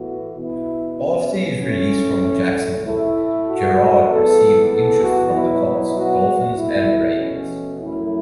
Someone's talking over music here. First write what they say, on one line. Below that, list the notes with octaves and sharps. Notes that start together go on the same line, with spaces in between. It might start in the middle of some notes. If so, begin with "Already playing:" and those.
After his release from Jacksonville, Garrard received interest from the Colts, Dolphins and Raiders.
Already playing: A2 E3 B3 F#4
B2 B3 E4
C#4
A2 A3 C#4
A2 A3 E4
F#4
E2 E3 B3 A4
A4
F#4
B2 F#3 B3 E4
E4
F#4
B2 A3 E4
C#4
F#2 F#3 A3 E4